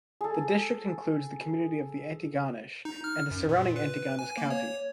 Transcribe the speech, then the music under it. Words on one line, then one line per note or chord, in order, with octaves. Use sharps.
The district includes the community of Antigonish, and the surrounding Antigonish County.
G#4 A4
D#4
F6
F#2
A#2
B4
G#5
A#3
C#5